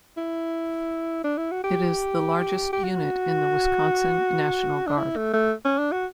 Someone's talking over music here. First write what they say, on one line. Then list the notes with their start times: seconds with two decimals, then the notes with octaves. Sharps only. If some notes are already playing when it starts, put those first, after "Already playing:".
It is the largest unit in the Wisconsin National Guard.
0.17 E4
1.24 D4
1.38 E4
1.51 F#4
1.64 G4
2.73 G4
2.84 F#4
4.87 D4
4.97 E4
5.16 A3
5.33 A3
5.65 C#4
5.78 D4
5.92 F#4